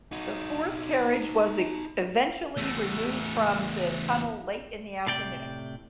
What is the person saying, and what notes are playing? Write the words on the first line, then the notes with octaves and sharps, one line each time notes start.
The fourth carriage was eventually removed from the tunnel late in the afternoon.
D#4 F#4
E2 A3
A2 C3 D5 G5